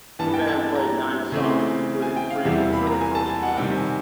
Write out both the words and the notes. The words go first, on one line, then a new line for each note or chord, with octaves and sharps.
The band played nine songs, including three for the very first time.
G2 E3 G3 B3 A5
G5
A5
A#5
C#3 E3 A3 C4
G#5
G5
F5
E2 C3 E3 G3 E5
F5
B5
A#5
G#5
A5
G#5
F#5
C3 D#3 G3 C4 G5
G#5